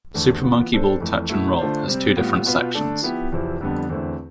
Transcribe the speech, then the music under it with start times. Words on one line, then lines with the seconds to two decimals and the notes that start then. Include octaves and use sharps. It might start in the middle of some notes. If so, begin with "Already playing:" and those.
Super Monkey Ball Touch and Roll has two different sections.
0.14 E2 D3 A3
0.43 E3 B3 F4
0.72 G3 D4 A4 C5
1.00 F2 E3 A3
1.29 B2 A3 E4
1.58 D3 A3 D4 F4 C5
1.88 C3 G3 C4
2.16 A2 G3 B3 F4
2.45 B2 B3 F4 B4
2.74 D3 A3 D4 A4
3.02 F3 B3 E4 G4
3.32 E2 C3 F3 C4 E4
3.61 F2 D3 G3 B3 D4
3.90 E2 D3 A3 C4 E4